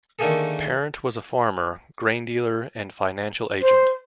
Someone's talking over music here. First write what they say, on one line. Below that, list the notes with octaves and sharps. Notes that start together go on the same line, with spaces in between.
Parent was a farmer, grain dealer and financial agent.
D3 D#3 A3 A#3 G#4 A4
C5